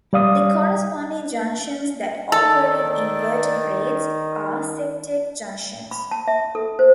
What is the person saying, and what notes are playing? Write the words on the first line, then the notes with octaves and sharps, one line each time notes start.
The corresponding junctions that occur in invertebrates are septate junctions.
G3 D5 F5 D#6
D#3 A4 D5
B5
A5
E5
A4
C5